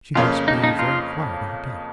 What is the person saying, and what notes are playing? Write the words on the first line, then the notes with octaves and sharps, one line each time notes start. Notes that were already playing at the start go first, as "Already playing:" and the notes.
"She must be very quiet all day."
F2 C#3 A#3 C#4 F4
D#4
D#4
F4